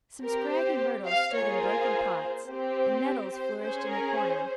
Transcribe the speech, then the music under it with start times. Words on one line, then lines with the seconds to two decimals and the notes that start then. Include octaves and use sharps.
Some scraggy myrtles stood in broken pots, and nettles flourished in a corner.
0.22 C4 G4 A#4
0.51 C5
1.07 F5
1.35 A#3 F4 G#4 C#5
1.64 C5
2.49 C4 G4 C5
3.34 C5
3.62 C#4 G#4 C5
3.91 A#4
4.19 C5